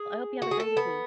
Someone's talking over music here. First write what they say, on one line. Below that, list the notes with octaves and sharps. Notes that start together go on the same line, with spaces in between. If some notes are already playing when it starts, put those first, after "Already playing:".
I hope you have a great evening.
Already playing: G#4
F#4
G#4
A4
B3